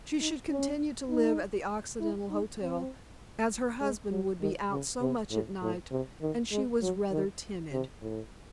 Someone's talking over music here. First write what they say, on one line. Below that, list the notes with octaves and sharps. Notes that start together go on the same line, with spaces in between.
She should continue to live at the Occidental Hotel as her husband would be out so much at night and she was rather timid.
D#4
C#4
D#4
E4
D#4
C4
G#3
F#3
D#3
C#3
C3
A2
A2
C3
D#3
G#3
F#3
D#3
C3
A2